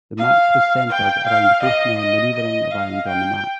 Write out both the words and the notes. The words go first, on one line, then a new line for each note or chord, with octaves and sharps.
The match was centered around both men maneuvering around on the mat.
F5
G5
F5
D#5
D#5
D#5
F5
G5